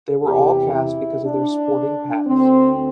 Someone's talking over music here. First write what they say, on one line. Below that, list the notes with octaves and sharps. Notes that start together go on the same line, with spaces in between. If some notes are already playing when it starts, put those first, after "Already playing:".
They were all cast because of their sporting past.
E2 C3 E3 G4
E4
D4
D2 D3 C4